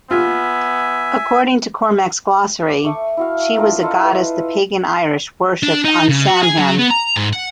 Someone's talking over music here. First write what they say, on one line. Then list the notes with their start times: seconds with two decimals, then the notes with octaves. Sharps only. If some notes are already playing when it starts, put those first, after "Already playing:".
According to "Cormac's Glossary", she was a goddess the pagan Irish worshipped on Samhain.
0.11 B3 F4 E5 G#5
2.69 D6
2.85 A3 C#6
3.17 E4 F#4 F5
3.56 F3 D4 A#4
3.82 E4 F4 A4 D#5
4.03 B4
5.63 D4
5.84 D#4
6.09 C#3
6.27 F#4
6.43 G#4
6.58 F#3
6.78 B3
6.90 A#5
7.16 G#2
7.33 F#5